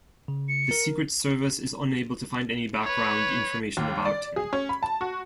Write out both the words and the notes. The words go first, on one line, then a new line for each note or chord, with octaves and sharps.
The Secret Service is unable to find any background information about him.
C#3
C#7
A#4
B4 C#5
D#2
D5
G#4
C#4
B5
A5
F#4